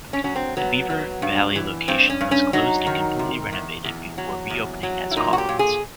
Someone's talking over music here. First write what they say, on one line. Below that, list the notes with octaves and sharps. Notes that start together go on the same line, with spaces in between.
The Beaver Valley location was closed and completely renovated before reopening as Kaufmann's.
C#4
F#3 C#4
C4
F#3 B3
F#3
G2
E3
G2 C4
C#4
G2
C#4
F#3 D#4
D#3
C3
E2
E2
F#3
E2
F#3
E4
A#2 D#4
F#4
G4
A#2
G#4